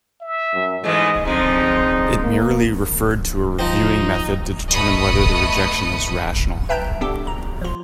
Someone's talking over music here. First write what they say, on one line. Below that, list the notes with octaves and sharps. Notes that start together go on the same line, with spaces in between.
It merely referred to a reviewing method to determine whether the rejection was rational.
E5
F#2
G#2 E3 G#3 A3 D#5
D3 F3 G#3 C4 D#4
A#3
F3 C4 D#4
A3 B3 D#5 B5 D#6 C#7
B4 E5 G5 A5 A#5 G6
B3 D4 G4 A4
A#5
F3 F4